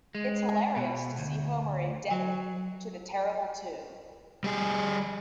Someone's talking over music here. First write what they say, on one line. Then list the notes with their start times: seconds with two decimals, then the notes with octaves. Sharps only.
It's hilarious to see Homer indebted to the Terrible Two...
0.15 G#3
0.76 B2
1.19 D2
2.11 F#3
4.44 G3 G#4